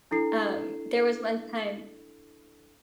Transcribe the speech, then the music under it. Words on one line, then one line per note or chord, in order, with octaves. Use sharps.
Um, there was one time
D4 E4 A4 C7